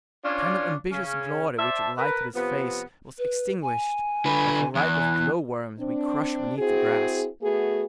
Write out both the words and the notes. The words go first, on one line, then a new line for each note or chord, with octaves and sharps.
A kind of ambitious glory which had lighted his face was extinguished, like the light of glow-worms we crush beneath the grass.
C#4 D4 F4 C#5 D5
C#3 C#4
C5 D5 E5 A5
A#4 B4
C3 F3 B3
B4
G#5
D3 B4
E2 F#6
C4 D4
C4 E4 F#4 G#4
A3 B3 F#4 G#4